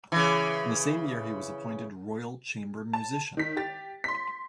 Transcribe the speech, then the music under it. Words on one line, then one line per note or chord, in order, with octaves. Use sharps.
In the same year he was appointed Royal chamber musician.
C#3 E3
A5
D#3 B6
G4 A6
C6 B6